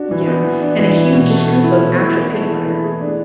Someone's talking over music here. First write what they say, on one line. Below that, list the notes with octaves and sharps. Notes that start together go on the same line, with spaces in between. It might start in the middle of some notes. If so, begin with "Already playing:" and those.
Yeah, and a huge scoop of actual peanut butter,
Already playing: D4 F#4
E3
B3
E3
D4
E3
E4
B2
A3
B2
E4
B2
E4
G#4
A3
E3
E4
G#4
D4